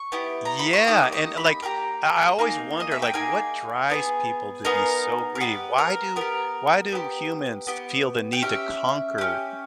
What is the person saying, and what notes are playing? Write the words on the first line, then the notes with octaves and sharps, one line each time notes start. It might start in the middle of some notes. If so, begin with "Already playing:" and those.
Yeah, and, like, I I always wonder, like, what drives people to be so greedy? Why do why do humans feel the need to conquer,
Already playing: C#6
B3 E4 G4
A#5
B5
C#6
A#3 D#4 G4 D#6
C#6
B5
A#3 D#4 G4 A#5
A#3 D#4 G#4
D#5
E5
G5
A#3 D#4 G#4 G#5
B3 D#4 G#4
B3 D#4 G#4 A#4
A#4
B3 G4 B4
A#4
B3 G4 A#4
B3 G4
B3 G4
G5
C#4 G4 E5
C#4 G4